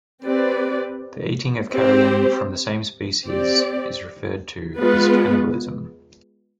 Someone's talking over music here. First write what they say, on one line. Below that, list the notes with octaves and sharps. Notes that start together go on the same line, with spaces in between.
The eating of carrion from the same species is referred to as cannibalism.
C4 G4 B4 D5
C4 G4 C5
C4 G4 D5
G#3 B3 F4 B4